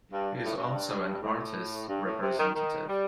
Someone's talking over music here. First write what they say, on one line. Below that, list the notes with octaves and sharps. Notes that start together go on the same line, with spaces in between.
He is also an artists representative.
G2
G2
A2
G2
A2
G2
A2
C3
D#3
D#3
G3